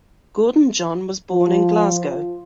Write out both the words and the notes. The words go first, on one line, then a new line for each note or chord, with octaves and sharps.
Gordon John was born in Glasgow.
F3